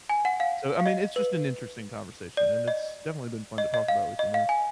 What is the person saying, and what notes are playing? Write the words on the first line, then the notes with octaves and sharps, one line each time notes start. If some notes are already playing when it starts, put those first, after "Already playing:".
So, I mean, it's just an interesting conversation, and it's definitely been fun to talk about with you, man.
G#5
F#5
F5
F5
D#5
B4
D5
D#5
D#5
D#5
F5
D#5
F5
G#5